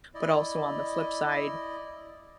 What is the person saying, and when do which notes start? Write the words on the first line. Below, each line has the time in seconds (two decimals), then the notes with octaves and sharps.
but also, on the flip side,
0.14 E4 D5 D#5